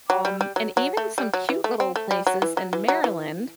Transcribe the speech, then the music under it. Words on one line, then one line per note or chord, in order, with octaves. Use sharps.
um, and even some cute little places in Maryland.
F#3
G3
G3
F#3
F#3
A3
G3
F#3
E3
A3
C4
A3
G3
F#3
E3
F#3
E3
F#3
E3